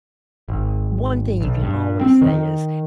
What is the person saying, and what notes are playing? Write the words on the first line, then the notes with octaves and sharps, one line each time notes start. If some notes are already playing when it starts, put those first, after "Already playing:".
one thing you can always say is
G#1
B1
G2
C4
D#3